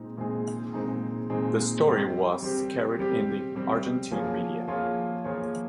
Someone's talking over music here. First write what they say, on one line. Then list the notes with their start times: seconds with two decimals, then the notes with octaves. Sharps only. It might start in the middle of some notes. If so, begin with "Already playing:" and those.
The story was carried in the Argentine media.
Already playing: A#2 G#3 C4 D#4
0.17 A#2 G#3 C4 D#4 G#4
0.73 A#2 G#3 C4 D#4 G#4
1.30 A#2 G#3 C4 D#4 G#4
1.86 G3 C4 G4
2.43 G3 C4 G4
2.99 G3 C4 G4
3.55 G3 C4 G4
4.11 F3 A#3 F4 G#4 C#5
4.68 F3 A#3 F4 G#4 C#5
5.24 F3 A#3 F4 G#4 C#5